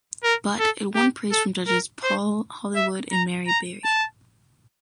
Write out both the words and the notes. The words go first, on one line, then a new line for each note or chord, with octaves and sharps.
But, it won praise from judges Paul Hollywood and Mary Berry.
A#4
A4
G4
A4
A#4
C5
E5
A#5
A#5
A5